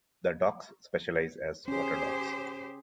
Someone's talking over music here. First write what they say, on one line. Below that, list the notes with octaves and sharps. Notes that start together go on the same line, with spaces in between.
The dogs specialize as water dogs.
C#4 G4 G#4 C5